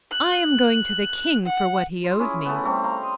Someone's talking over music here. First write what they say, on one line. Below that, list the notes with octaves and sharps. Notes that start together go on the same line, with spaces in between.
'I am going to the King for what he owes me.'
F#6
F#5
F4
C#4 E4 G#4
A3 B3
G3 A3 C4
F5 A#5 C6
D#5